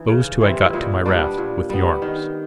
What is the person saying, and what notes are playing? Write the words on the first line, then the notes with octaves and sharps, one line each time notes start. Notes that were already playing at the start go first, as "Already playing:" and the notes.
Those two I got to my raft, with the arms.
Already playing: E3 D#4
C#3
E3 G3 C4
E4
A#2 D#4
G3 B3 D4
A#2
G3 B3
D#3